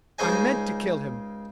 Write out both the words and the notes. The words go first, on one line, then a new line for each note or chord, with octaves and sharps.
I meant to kill him.
C#2 C#3 D#4 C5 D#5 G#5